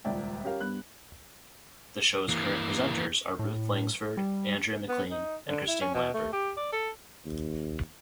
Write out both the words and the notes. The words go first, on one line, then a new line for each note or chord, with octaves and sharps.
The show's current presenters are Ruth Langsford, Andrea McLean, and Christine Lampard.
D#1 C#2 D5 E5 G5
C#4 G4 A#4 F5
G2 G3 B3 F#6
E3 A#3
A2
G3
B3
D#4
D3
E4
C#4
B2
A3
G4
D5
A4
D#2